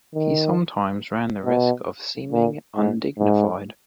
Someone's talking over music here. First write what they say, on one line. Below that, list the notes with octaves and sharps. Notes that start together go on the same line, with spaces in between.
He sometimes ran the risk of seeming undignified.
D#3
B2
A#2
G#2
G#2